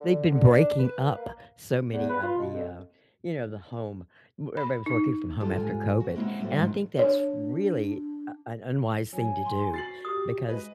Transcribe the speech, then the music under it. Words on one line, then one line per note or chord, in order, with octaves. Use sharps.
They've been breaking up so many of the, uh, you know, the home w everybody was working from home after COVID, and I think that's really a an unwise thing to do because
D3
D3
D4
B4
A#3
E2
B4
F4
B2
F2
B5
D#4
G2 D3 F4 G4 A4 A5
G#2 F4 G#5
F#4
G#3 A#3 C4 C#4 E4 F#4
G3 A3 C#4 F4 F#4 C5
F2 G#2 D3 F3 F#3
D4 C#5
F#3 G#5
C6
F#4 A6 C7 F#7
G4 D#6
G#3 B4 D#5